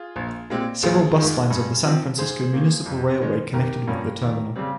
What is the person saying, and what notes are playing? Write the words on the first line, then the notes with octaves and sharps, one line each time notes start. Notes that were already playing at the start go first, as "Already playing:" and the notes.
Several bus lines of the San Francisco Municipal Railway connected with the terminal.
Already playing: F4 G#4
A#1
A#2 G#3 C4
A#1 F4 G#4
G#2 D#3
G2
F3 C4
G#2 G#4 C5
D#3 A#3
F2
D#3 G#3 C#4
G#1 G4 A#4
G2 F3 A#3 C#4
D#2
C#3 G3 C4